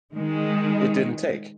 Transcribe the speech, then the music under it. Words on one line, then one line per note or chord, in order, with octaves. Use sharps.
it didn't take.
D#3 G#3